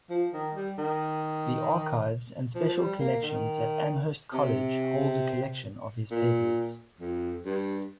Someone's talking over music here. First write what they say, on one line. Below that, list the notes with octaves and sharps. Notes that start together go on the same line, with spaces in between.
The Archives and Special Collections at Amherst College holds a collection of his papers.
F3
D#3
G3
D#3
F3
F3
G3
A#3
D#3
C3
A#2
F2
G2